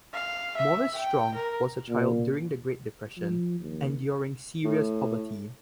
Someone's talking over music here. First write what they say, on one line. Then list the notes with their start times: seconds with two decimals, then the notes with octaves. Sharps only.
Maurice Strong was a child during the Great Depression, enduring serious poverty.
0.13 F5
0.57 E5
0.96 G5
1.35 A#4
1.89 A#2
3.17 F3
3.60 D#2
4.64 A2